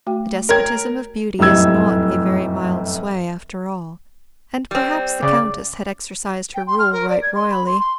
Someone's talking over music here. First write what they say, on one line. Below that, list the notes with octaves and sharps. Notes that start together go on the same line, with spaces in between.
The despotism of beauty is not a very mild sway, after all; and perhaps the Countess had exercised her rule right royally.
A3 F#4 G5
A#4 C#5 G5 G#6
F1 F#2 A2 G3 E6 G#6
G3 C4
C#3 D5
G5
C6
F6
A#4
D5
G#6
C6
B5
C6
C6